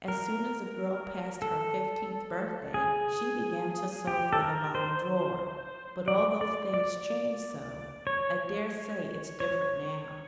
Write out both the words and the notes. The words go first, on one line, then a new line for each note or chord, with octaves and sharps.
As soon as a girl passed her fifteenth birthday, she began to sew for the "bottom drawer." But all those things change so, I dare say it's different now.'
A#4
A4
G#4
G4
A4
A#4
C5
D5
D5
D5
C#5
C#5